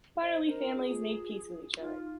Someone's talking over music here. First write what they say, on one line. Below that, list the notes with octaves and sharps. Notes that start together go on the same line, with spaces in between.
Finally, families made peace with each other.
C5 D#5
D#5
A#4 C5
F4
F4 G#4
D#4 F4